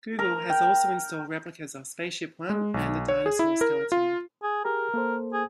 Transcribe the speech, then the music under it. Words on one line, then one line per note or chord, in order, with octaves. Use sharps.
Google has also installed replicas of SpaceShipOne and a dinosaur skeleton.
A#4
G5
G#3
B1
C#5
G#4
E4
A#4
F4
G#4
G4 G#4 A#4 A#5
A#3 A4 C5
G#4